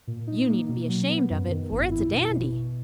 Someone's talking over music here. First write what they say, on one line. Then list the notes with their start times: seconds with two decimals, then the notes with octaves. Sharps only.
You needn't be ashamed of it, for it's a dandy.
0.07 A#2
0.27 D#4
0.49 A#3
0.69 B2
0.89 F#3
1.09 B3
1.30 F#2
1.50 D#3
1.71 G#1
1.91 E4
2.11 B2
2.31 B2
2.52 B2